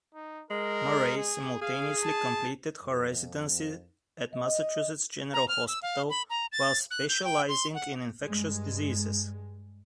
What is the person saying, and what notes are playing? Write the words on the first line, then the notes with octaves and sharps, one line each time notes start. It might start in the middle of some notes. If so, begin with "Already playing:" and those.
Murray simultaneously completed her residency at Massachusetts General Hospital while specialising in infectious diseases.
D#4
G#3 A#4
G#4
G#4 F5
A5
F2
D#5
A#5
F6
E6
F5
B5
A#5
A6
F#6
G6
G5
C6
F#5
G2 G#3